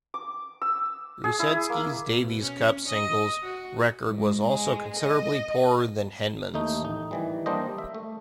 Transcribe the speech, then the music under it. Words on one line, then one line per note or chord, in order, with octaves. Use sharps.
Rusedski's Davis Cup singles record was also considerably poorer than Henman's.
D6
E6
G#4
E4
A#3
B2
C#4
D#5
F#4
G#2
G#3
D#5
D#2 A3 D#4
A1 D#4
D#3 E3 G3
G3 A#3 D4 C5 D#5
E5
A3